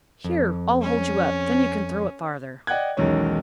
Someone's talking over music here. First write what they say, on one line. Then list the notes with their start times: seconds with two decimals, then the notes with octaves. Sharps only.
Here, I'll hold you up, then you can throw it farther.
0.24 F2
0.82 C#4
2.67 D5 D#5 F#5 G5 F#6 G#6
2.97 B1 E2 D#3 G#3 C#4 C#5